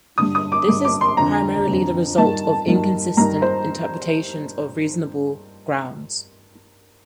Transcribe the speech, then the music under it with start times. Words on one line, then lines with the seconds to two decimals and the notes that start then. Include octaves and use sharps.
This is primarily the result of inconsistent interpretations of reasonable grounds.
0.18 G2 D3 D#6
0.35 D#6
0.52 D6
0.68 G2 D3 D6
0.85 D6
1.01 C6
1.17 F2 D3 A#5
1.68 F2 D3
2.18 G2 D#3 A5
2.67 G2 D#3
3.17 G2 D#3 A#5
3.42 C5